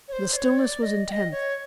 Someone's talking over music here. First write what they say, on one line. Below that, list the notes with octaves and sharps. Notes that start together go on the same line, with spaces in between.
The stillness was intense.
C#5
C5
D5
C#5
D5
D#5
G5
D#5
C#5